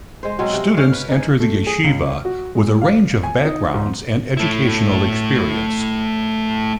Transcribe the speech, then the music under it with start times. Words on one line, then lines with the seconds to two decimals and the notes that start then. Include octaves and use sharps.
Students enter the yeshiva with a range of backgrounds and educational experience.
0.23 G#3 C5
0.39 B2 F#3 G#3 C4
0.53 C3
0.77 C#4 C#5 F5
0.92 B4
1.08 D#4 G#4
1.40 A3
1.67 G#4
1.84 C#2
2.25 F#4
2.55 G#3
2.81 F5
3.23 G#5
3.45 D#4
3.74 G#2
4.37 A3 E4